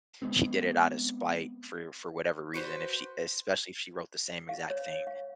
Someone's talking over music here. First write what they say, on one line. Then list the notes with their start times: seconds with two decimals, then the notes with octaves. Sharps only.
she did it out of spite for for whatever reason if she especially if she wrote the same exact thing
0.22 G#3 B3 C4
2.54 F#4 B4 C5
4.49 F5
4.70 C#5
5.07 F5